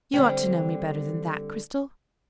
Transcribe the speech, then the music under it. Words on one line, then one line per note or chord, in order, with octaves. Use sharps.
"You ought to know me better than that, Cristel!"
D3 G3 C4